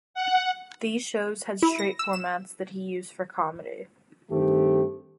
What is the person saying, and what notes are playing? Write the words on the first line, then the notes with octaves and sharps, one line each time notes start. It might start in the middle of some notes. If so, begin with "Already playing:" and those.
These shows had straight formats that he used for comedy.
F#5
E4
A#6
E6
E7
G2 D#3 A3 C4 G4